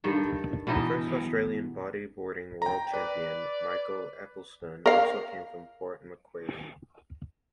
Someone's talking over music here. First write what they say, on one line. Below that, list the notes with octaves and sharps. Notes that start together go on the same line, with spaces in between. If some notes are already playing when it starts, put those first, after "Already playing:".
The first Australian bodyboarding world champion, Michael Epplestun, also came from Port Macquarie.
G2 D#3 A4
B2 E3 D#4 D#5
G5 A#5
B4 D5
A#4 F5